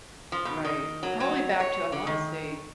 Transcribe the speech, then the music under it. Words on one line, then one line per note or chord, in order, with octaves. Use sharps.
Right, probably back to I wanna say,
F3
B2
D#3
F#3
F#3
C#5
D3
D#3